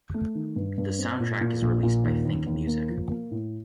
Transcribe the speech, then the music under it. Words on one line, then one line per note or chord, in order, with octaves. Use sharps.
The soundtrack is released by Think Music.
A3
D#3
G2
G2
C4
A#2
A#2
A#1
A#2
D#2
D#2
D#2
A#3
F3
A#3
A2